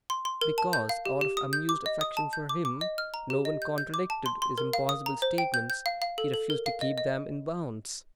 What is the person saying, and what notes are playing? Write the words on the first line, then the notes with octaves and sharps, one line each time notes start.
Because, out of amused affection for him, no one contradicted his impossible statements, he refused to keep them in bounds.
C6
C6
A#4
A5
G6
F5
G4
G4
D#6
G6
D6
D#5
D#6
A5
G6
D6
D6
D#5
F6
A#5
G4
D#5
G6
G6
D6
A5
C6
C6
A#4
F5
D#6
A#5
C5
G5
G6
G6
F5
F5
A4
A4
A#4
F5
D#5
D#5